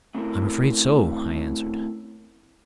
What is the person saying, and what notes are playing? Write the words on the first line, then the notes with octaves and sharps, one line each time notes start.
"I'm afraid so," I answered.
A3 C4 C#4 E4 A4 A#4